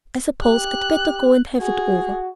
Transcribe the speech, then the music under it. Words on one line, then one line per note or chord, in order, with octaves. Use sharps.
I suppose I'd better go and have it over.
G4 F#6
F#4 G#4